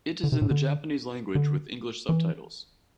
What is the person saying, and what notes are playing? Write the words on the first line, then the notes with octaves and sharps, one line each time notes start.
It is in the Japanese language with English subtitles.
D3
C3
A2
D3
D3
E3